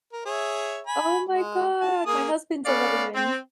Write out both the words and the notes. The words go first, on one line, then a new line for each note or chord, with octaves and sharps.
Oh my god! My husband's a veteran.
A#4
G#4 C#5 E5
G#5 B5
G#3
A5
A#3 G#4 D#6
B3 C#4 A4 D5 F5
C4